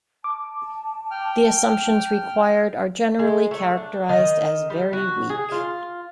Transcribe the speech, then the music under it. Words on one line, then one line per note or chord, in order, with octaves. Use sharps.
The assumptions required are generally characterised as "very weak".
A5 D6
G5 F6
G#3
A3
D4
D#3
G3
F#4
G#4
F4